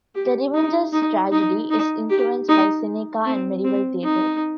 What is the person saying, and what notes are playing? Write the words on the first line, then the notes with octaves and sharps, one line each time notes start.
"The Revenger's Tragedy" is influenced by Seneca and Medieval theatre.
G4
D#4
D#4
D#4
D#4
G4
D#4
C4
C4
D#4